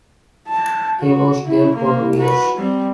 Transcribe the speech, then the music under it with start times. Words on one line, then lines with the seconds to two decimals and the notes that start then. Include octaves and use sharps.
He was there for two years.
0.48 A5
1.00 F#4
1.46 E4
1.75 A#3
2.18 F#4 B4
2.57 G3 C4